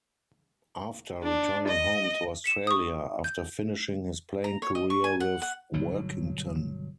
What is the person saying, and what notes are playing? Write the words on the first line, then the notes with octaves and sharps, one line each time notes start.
After returning home to Australia after finishing his playing career with Workington.
D4
D#5
B6 C#7 E7
C#6 D#6
G6
A#5
C#5
D#5
C#6
G#5
F#5
F#5
G1 B2 F#3